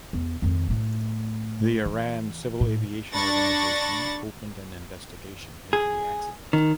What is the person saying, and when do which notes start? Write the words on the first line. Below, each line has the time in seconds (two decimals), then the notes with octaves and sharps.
The Iran Civil Aviation Organization opened an investigation into the accident.
0.13 E2
0.42 F2 D#3
0.68 A2 A3
1.85 E3
2.60 A2
3.14 D4 B5 C#6 A6 A#6
5.73 G#4
6.53 D#3